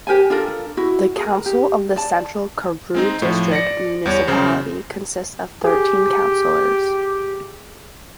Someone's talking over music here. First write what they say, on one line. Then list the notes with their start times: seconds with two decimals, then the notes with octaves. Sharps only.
The council of the Central Karoo District Municipality consists of thirteen councillors.
0.07 G4 A#4 C5 G#5
0.30 D4 F4 A4 A#4
0.77 E4 F#4
1.17 G#4 A#4
1.46 G4
1.96 D5 A5
2.95 G#3 C4 D#4
3.22 A2 F3
3.52 D5 A#6 C#7
4.06 E2 G3 C#5
4.27 F#2 C#3 C5
5.64 G4 G#4